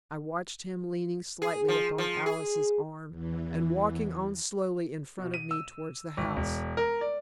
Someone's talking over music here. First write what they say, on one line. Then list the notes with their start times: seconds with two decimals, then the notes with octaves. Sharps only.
I watched him leaning slightly upon Alice's arm, and walking on slowly in front of me towards the house.
1.42 G#4
1.68 F3
1.98 F3
2.26 G#4
3.09 E2 E3
5.18 B2
5.34 D#7
5.51 E6
6.17 G#1
6.36 E1
6.77 A#4
7.01 D5